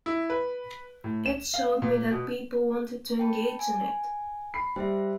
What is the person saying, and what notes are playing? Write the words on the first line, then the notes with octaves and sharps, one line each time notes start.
It showed me that people wanted to engage in it.
E4
B4
A2
E7
F5
A#2
B2
G5 A5 B5
G#5
B5 C7
G3 C5 E5